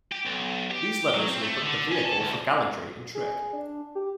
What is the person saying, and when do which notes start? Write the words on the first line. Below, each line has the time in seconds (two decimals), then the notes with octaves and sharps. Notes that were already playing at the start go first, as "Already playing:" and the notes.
These letters were but the vehicle for gallantry and trick.
0.12 G4
0.26 B1
0.71 G4
1.14 F#3
1.29 C4
1.42 A3
1.62 D3
1.92 C#4
2.06 A4
2.20 D2
3.15 G#4
3.53 D4
3.95 G4